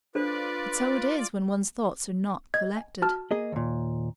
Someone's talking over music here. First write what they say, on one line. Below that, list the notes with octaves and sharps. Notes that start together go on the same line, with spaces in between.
But so it is when one's thoughts are not collected.
D4 F4 A4 B4 C5 D5
D#5 G#6
G#5
F#4 A5 F6
A#3 G#4 D#5
D#2 A#2